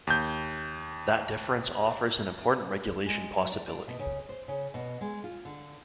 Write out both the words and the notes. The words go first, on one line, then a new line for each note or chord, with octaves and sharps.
That difference offers an important regulation possibility.
D#2 G6
G#3
F#3
D5
D5
B2
C#3
C5
C#3
B2
G#3
F4
D3